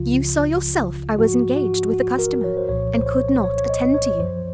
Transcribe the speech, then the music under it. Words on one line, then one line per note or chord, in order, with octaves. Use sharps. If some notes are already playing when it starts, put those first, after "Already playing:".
"You saw yourself I was engaged with a customer, and could not attend to you."
Already playing: C#2 C#3 F3 F4
G#2 F3 F#4
F#4
F#4
A#4
C#5
C5
C2 A#2 F3 C#5
C5
C#5
C#5
C#5
D#5
C#5
C#5
F#2 F3 C5